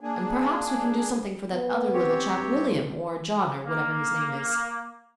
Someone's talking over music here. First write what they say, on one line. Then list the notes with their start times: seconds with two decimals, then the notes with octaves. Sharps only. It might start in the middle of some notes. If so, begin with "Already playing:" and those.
And perhaps we can do something for that other little chap, William, or John, or whatever his name is.
0.01 A#3 D4 G#4
1.53 B3
1.93 C4 G4 C#5
2.39 G2
3.66 A#3